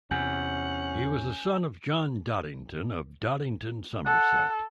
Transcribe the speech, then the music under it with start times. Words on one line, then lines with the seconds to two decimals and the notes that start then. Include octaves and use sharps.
He was the son of John Dodington of Dodington, Somerset.
0.11 E2 C3 C#4 F#5 G#5 G6
4.05 A4 F#5